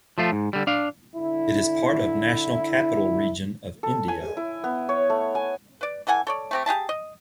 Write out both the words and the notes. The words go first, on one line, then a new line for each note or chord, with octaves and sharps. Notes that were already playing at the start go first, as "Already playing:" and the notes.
It is part of National Capital Region of India.
F3 A3 F4
G#2
D3 G3
D4 F5
D3 E4
A4
G#5
E4
B3
C#5
A3
G#5
B4 D5
E3 A4 F#5 G#5
A4 C#5 D5
A3 C4 G4
G4 G#4 E5 A5
D#5